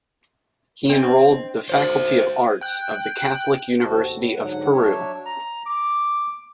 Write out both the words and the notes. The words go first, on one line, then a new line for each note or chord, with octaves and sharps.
He enrolled the Faculty of Arts of the Catholic University of Peru.
C4 D4 D#5
F#4 C5
G5 F#6
D#2 C3 F#4 A4
A2
G#2 D3 F#3 F#5
F#3 D4 C#5 E5
A#5
D6